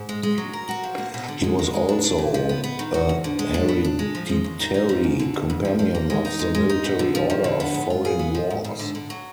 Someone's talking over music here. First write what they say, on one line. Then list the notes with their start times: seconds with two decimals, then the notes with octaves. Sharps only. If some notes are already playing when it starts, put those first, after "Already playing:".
He was also a hereditary companion of the Military Order of Foreign Wars.
Already playing: G#2
0.09 G#3
0.23 G#3
0.38 F#3
0.53 A#4
0.69 F#4
0.84 F3
0.98 A#3
1.14 B2
1.28 D3
1.44 G#3
1.59 G#3
1.73 G#3
1.89 D4
2.04 D4
2.18 A#2
2.34 F3
2.49 B3
2.64 B3
2.79 D#3
2.94 F#4
3.09 D2
3.24 D3
3.39 G#3
3.54 D4
3.68 B3
3.85 D4
3.99 G#3
4.15 F3
4.29 G#3
4.44 D#2
4.60 D#4
4.74 D#4
4.89 F3
5.04 F#2
5.19 D3
5.34 D#2
5.50 F2
5.65 F3
5.79 F3
5.95 A#3
6.10 G#3
6.25 D#4
6.39 G#3
6.55 G#3
6.69 D#4
6.84 B3
6.99 D3
7.15 F3
7.30 F3
7.44 D3
7.60 B3
7.74 G#2
7.90 F4
8.05 G#4
8.19 B3
8.35 F3
8.50 G#2
8.64 G#2
8.79 D3
8.95 D3
9.10 F#3